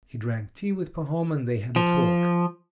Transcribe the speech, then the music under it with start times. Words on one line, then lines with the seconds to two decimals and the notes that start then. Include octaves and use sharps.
He drank tea with Pahom, and they had a talk.
1.76 F3